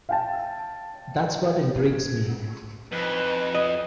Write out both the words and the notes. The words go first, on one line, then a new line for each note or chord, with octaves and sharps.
That's what intrigues me.
F5 G5 A5
F2 E3 D#4 B4
D#5